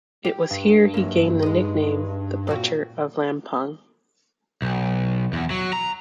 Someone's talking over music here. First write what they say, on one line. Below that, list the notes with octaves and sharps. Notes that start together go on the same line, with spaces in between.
It was here he gained the nickname "The Butcher of Lampung".
G4
G2
F#2 A#3
G#3 D#4
A#2 C4 F#4
B1
E2
F#3
A#5